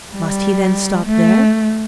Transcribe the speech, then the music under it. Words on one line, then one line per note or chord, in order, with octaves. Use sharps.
Must he then stop there?
G3
A3